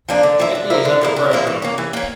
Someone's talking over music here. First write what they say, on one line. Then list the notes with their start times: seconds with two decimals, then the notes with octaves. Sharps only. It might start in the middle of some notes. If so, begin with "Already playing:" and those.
Chippy is under pressure.
0.09 F3 A#3 D4
0.23 D3
0.39 F3 A#3 E4
0.55 D3
0.70 F3 A#3 E4
0.85 D3
1.01 F3 A#3 E4
1.16 D3
1.31 F3 A#3 E4
1.47 E3
1.62 A#3 C#4
1.78 E3
1.93 A#3 C#4